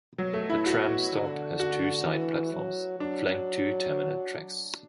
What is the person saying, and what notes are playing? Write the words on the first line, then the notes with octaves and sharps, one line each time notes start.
The tram stop has two side platforms, flanked two terminal tracks.
B2 F#3
A3
E4
F#4
D3
F#4
E3
F#3
F#3 D4